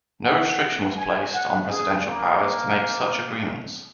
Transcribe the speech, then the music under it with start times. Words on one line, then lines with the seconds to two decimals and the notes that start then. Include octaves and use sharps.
No restriction was placed on presidential powers to make such agreements.
0.24 F#5
0.97 G#5
1.33 F#5
1.69 G#4
2.05 A#3